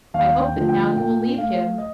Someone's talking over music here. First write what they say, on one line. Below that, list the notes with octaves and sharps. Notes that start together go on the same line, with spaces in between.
I hope that now you will leave him.
D#2 F5
G5
D3 F3 A3
G5
A#2 G5
A3 F5
D#5